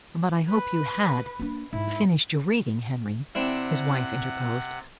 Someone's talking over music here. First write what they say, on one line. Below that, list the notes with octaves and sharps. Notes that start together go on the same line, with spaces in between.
"But I hope you HAD finished your reading, Henry?" his wife interposed.
B4
A#3 D4
G#2 E4
C3 C4 D4 E4 F#5